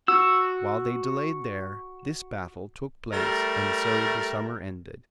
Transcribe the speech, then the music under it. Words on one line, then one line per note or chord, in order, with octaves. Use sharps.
While they delayed there, this battle took place and so the summer ended.
F#4 E6
G3 A3 A#4